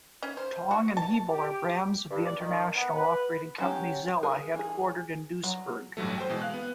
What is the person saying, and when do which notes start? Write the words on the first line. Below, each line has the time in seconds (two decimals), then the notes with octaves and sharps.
Ytong and Hebel are brands of the international operating company Xella headquartered in Duisburg.
0.22 C#4
0.37 C5
0.71 F#4
0.97 A5
1.28 G4
2.10 G2
2.24 D5
2.39 D#3
2.76 B3
2.96 B4
3.58 F#3 C#4 G4
4.23 G#4 A#4
4.55 E3 G#4
5.43 F#3
5.97 A1 G2 F#3 A3
6.18 C5 G5
6.29 B2 E3 G#3
6.41 F5 F#6
6.54 B3